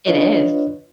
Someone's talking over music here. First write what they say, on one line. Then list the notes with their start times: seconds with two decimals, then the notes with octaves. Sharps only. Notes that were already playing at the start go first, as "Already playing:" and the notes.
It is.
0.07 D4 F4 B4 C#5 D#5